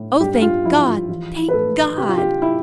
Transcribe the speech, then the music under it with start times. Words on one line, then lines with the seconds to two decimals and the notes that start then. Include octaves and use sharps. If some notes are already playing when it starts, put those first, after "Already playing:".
Oh, thank God, thank God!
Already playing: A2
0.20 G2 G4
0.42 F4
0.64 F3 E4
0.87 F4
1.09 E3 F4
1.49 B4
1.53 A2 A4
1.97 C3 G4
2.08 F4
2.18 G4
2.42 E4